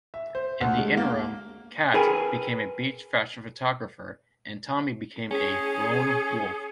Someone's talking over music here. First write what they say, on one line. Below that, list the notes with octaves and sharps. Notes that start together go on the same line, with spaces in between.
In the interim, "Cat" became a beach-fashion photographer, and Tommy became a "lone wolf".
E5
C5
D2
G#3
A#3
G#4 A#4 B4 G5 G#5
C#4 G#4